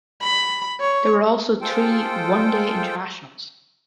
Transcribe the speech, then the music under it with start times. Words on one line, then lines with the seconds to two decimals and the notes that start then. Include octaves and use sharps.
There were also three "one-day internationals".
0.21 B5
0.80 C#5
1.62 G#3 F4 A4 C5 G5